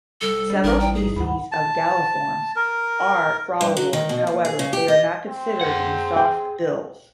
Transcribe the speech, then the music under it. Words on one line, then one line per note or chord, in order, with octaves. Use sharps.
Several species of Galliformes are frolivores, however they are not considered to be softbills.
C2 G3 A4
G3 D4 A4 E6 F6
A1 E3 D#4 E4 A#4 D5 A#5
G5
G#2 D#4 G#4
D2 F#5 B5
A5
A#4
G2
F#3
D#3
B2
D#2
G#4
C#3
G4
D#5
C4
G#4 F#5
G5